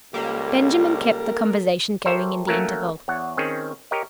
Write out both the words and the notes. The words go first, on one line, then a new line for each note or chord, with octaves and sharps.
Benjamin kept the conversation going in the interval.
C#2 G3 A#3 A4
G4 A4 A#4 C5 C#5 E5
F#3 A3 A#3 C#4 A#4
E2 C#5 F#5
D#3 C4 C#4 G#4
G4 A#4 C#5 D#5